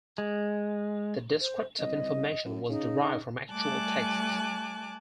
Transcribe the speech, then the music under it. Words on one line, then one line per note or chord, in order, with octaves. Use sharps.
The descriptive information was derived from actual texts.
G#3
C5
C2 D#5
F#2
C#3 D#4
G3 A3 G#5 A5 D6 F#6